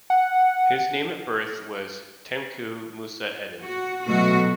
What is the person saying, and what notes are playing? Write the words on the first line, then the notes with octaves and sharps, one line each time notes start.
His name at birth was Tengku Musa Eddin.
F#5
F#4
B2 F#3 A3 F#4